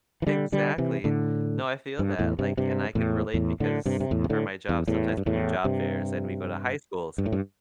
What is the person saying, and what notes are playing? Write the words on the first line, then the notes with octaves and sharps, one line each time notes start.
Exactly. No, I feel that, like and I could relate because for my job, sometimes we do job fairs and we go to high schools,
E3
D3 G3
D3 G3
C3 E3
A2 D3
G2
E2 A2
G2 C3
G2 C3
E2 A2
E2 A2
A2 D3
G2 C3
C3
E2 A2
C3
A2 D3
E2
E2 A2
G2
E2 A2
G2 C3
G2
A2
G2